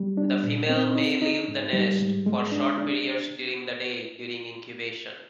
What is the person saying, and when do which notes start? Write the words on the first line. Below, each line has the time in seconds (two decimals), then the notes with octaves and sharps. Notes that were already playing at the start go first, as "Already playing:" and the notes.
The female may leave the nest for short periods during the day during incubation.
Already playing: G3
0.17 D4
0.43 A#2
0.69 C4
0.95 D#4
1.22 D#4
1.48 G#2
1.73 G3
2.00 G#2
2.26 G#3
2.52 D4
2.78 D4